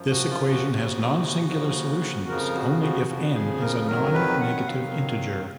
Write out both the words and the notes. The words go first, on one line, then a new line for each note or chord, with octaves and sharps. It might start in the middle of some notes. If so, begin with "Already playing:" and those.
This equation has nonsingular solutions only if "n" is a non-negative integer.
Already playing: F#2 F3
F#4
F4
F#4
D#2 C#3 F3
D#2 C#3 F3
F2 C#3 F3 A#4
F#4
F#4
F2 C#3 F3 F#4
G#4
A#4
F2 D#3 F#3 A#4
B4
F#5
F2 D#3 F#3 F5